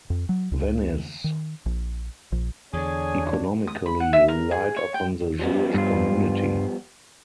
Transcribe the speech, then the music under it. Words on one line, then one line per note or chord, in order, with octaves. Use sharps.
Venice economically relied upon the Jewish community.
F2
F#3
C#2
D#3
A#1
A#1
E2 D3 D4 G#4 C#5 G#5
D#6
B5
F#5
E5
A#4
G#4
C#5
G5
F3 G3 B3
G2 F4